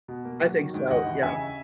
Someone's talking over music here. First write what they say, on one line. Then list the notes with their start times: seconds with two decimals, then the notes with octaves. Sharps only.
I think so, yeah.
0.08 B2
0.25 A#3
0.41 F#3
0.58 D#3
0.74 G#2
0.90 D#2 D#5 F#5
1.06 E3
1.23 C#3 E5 G#5